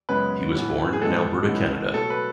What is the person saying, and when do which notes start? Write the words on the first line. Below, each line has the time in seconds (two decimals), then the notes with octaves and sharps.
He was born in Alberta, Canada.
0.09 F#2 C#3 G#3 B3 B4
0.55 A2 E3 B3
0.93 G#4
1.02 A2 E3 G#3 B3 A4
1.48 C#3 E3 G#3 B3
1.94 B2 F#3 A3 A4
2.10 B4